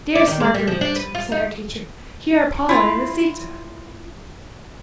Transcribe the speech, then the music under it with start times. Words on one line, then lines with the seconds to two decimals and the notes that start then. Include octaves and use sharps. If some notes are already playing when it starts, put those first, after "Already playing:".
"Dearest Marguerite," said our teacher; "Here are Paula and Lisita."
0.15 D5
0.27 D#3
0.40 G#3
0.54 G3
0.67 F3
0.81 D4
0.96 B4
1.15 F4
1.32 D#4
2.69 E4 F4